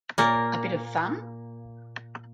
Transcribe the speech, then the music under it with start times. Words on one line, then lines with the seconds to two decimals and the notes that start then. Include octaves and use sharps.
A bit of fun?
0.18 A#2 A#3